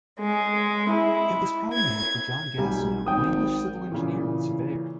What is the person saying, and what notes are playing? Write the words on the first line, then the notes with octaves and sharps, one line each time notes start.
It was probably named for John Gastineau, an English Civil Engineer and Surveyor.
G#3
E4
G#6
F1 B1 G3 G#5
G#1 G5 D#6
A#2 C#3 E3